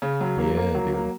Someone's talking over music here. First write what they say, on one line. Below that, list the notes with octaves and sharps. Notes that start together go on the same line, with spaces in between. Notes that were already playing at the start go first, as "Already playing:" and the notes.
Yeah, dude.
C#3
F#3
A#3
A#3
F#3
A#3